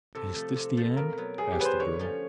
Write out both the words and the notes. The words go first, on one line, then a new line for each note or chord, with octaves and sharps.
"Is this the end?" asked the girl.
C3 A4
F3 A3
C3
F3 A3
B2 A#4
F#3 B3
B2 G#4
G4
F#3 B3 B4
C5
D3 C#5
F3 A3 C#4